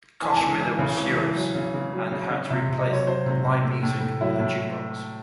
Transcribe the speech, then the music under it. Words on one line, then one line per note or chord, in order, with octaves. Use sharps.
Koschmider was furious, and had to replace the live music with a juke box.
E3 G#5
A5
E3 G#5
E3
C#3
E3
E3
F#3
C#3
C#3
F#3
C#3
C#3
C3 E5
C3
D#5
F#3
C#5
F#3 C5
C3
C3
A2
A2
A2
F#3 E4
A2